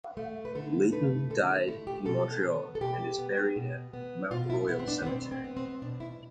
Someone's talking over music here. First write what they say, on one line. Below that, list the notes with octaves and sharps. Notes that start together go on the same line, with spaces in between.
Layton died in Montreal and is buried at Mount Royal Cemetery.
A3
B4
D3 A4
A3 B4
D3 A4
D4
A3 E4
G4
B2 A4
B3
A4
B2 G4
B3
B2
B3
B2 F4
E4
B3 E4
C4
D4
B3
B2 C4
C4
B3
C4
B2 D4
E4